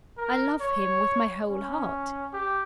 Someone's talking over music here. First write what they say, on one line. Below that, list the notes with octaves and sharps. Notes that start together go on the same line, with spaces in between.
"I love him with my whole heart."
A#4
C#5
C#4
G4